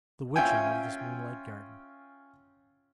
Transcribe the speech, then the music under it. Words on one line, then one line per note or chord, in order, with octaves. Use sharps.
The witching of this moonlit garden!
C#4 F4 E5 G5 G#5